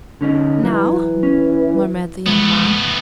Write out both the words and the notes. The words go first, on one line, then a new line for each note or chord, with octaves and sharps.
"Now," murmured the young man.
D3 C#4 D#4
E3 F#3
C#4
E3 F3 G#3 A3 B3